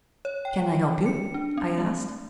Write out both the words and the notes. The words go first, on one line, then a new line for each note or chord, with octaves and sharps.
"Can I help you?" I asked.
C#5
G5
C#7
D4
C4
A3